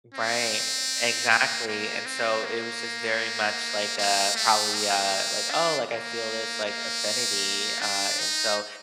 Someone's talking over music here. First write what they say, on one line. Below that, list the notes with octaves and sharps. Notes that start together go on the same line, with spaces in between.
Right. Exactly, and so it was just very much like, uh, probably, uh, like, "Oh, like, I feel this, like, affinity," uh, and so,
C4
A#3
A#3
C4
A#3
A#3
A3
A#3
D4
A#3
A#3
D4
D#4